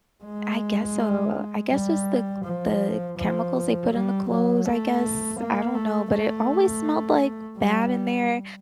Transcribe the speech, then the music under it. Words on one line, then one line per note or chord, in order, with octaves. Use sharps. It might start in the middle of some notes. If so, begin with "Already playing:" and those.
I guess so. I guess it's the c the chemicals they put in the clothes, I guess. I don't know, but it always smelled, like, bad in there.
G#3
G3
F3
F3
G3
F#3
A3
A#3
A3
A3
G3